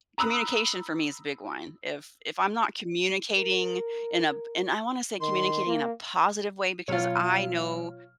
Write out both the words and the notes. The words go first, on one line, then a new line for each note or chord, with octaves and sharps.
communication, for me is a big one. If if I'm not communicating in a in I wanna say, communicating in a positive way, because I know
A#5 B5 D#6 E6 F#6
A#4
D#3 C6
A#3
B2 F#3 F4 C#5 F6